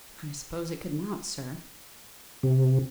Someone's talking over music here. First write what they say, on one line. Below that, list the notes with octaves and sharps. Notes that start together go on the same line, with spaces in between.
"I suppose it could not, sir."
C3